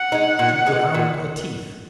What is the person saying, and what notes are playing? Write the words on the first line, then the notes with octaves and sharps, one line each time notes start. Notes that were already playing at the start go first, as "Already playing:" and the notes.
She ground her teeth.
Already playing: F#5
G#3 D#4
A#2
G#3 D#4
A#2